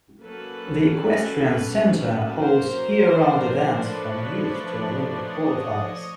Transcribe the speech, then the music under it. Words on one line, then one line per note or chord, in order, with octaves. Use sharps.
The equestrian center holds year-round events from youth to Olympic qualifiers.
F#3 A#3 C#4 A4 B4
A#4 C5
F3 A3 D4
B4 C#5
C#5 D#5